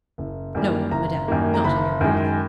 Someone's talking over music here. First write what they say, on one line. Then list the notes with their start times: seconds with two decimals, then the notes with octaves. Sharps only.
"No, madame, not in your berth."
0.18 F#1
0.55 F#2 D#3 G3 A#3
0.91 F#1 A#5
1.28 F#2 D#3 G3 A#3
1.54 A#5
1.64 F#1 B5
2.01 F#2 D#3 G#3